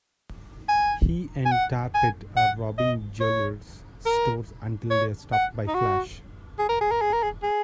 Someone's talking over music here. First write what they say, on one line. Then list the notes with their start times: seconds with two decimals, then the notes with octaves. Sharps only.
He and Tar Pit are robbing jewelry stores until they are stopped by Flash.
0.68 G#5
1.46 G#5
1.52 F#5
1.94 G#5
2.37 F#5
2.78 D#5
3.20 C#5
4.06 A#4
4.90 C#5
5.33 F#5
5.67 D#4
5.74 F#4
6.59 G#4
6.69 A#4
6.81 G#4
6.91 A#4
7.01 G#4
7.13 A#4
7.23 G#4
7.43 G#4